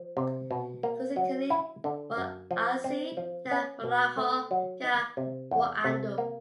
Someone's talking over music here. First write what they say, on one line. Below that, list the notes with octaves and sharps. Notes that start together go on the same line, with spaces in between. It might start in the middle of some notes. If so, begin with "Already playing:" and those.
Kusekunee w'asi na malagho gha w'andu.
Already playing: F3
C3
B2
A#3
F#3
E4
D3
F#2
F3
C4
F3
C#4
B2
A3
F#3
D#4
C3
E2
C3
A#3